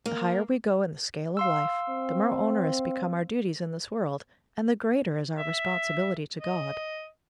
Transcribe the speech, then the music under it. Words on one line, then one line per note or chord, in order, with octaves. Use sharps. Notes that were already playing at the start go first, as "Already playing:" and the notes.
The higher we go in the scale of life, the more onerous become our duties in this world, and the greater is our responsibility to God.
A#3
F5 C6 E6
C4
E5
D#5